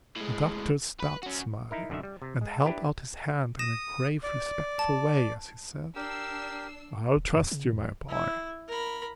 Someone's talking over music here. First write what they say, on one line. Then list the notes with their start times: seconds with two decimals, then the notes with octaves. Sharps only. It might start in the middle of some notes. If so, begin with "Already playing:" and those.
The doctor stopped smiling, and held out his hand in a grave, respectful way, as he said, 'I'll trust you, my boy.
0.16 A2 G#3
1.00 B4
1.23 C#4 F#4
1.71 D#4 E4 A#4
1.90 F#2 D3 D#3 E5
2.03 G3
2.22 C3
2.41 G#3
2.64 D4 E4 G4 B4
3.59 D#6 A#6 E7
4.23 D5
4.79 A5
5.96 D4 G4 A#4 E6 C7
7.16 D#1
7.35 F2
7.52 C#3
7.72 E2
8.08 E4
8.68 A#4 B5